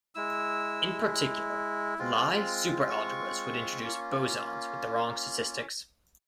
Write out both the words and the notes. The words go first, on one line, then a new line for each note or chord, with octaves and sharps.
In particular Lie superalgebras would introduce bosons with the wrong statistics.
G#3 E4 E6
G#3 C4 F4
C#6
A#3 C#4 F4